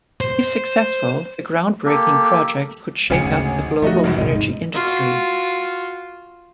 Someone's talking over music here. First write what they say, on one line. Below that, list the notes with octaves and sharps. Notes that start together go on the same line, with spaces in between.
If successful, the groundbreaking project could shake up the global energy industry.
C5
A#3 G4 A4
G#1 D2 C#3 G#5 C#7
F3 A3 D#4 F#4
G#1 C#2 F#2
G#2 C3 D#4
F4 F#4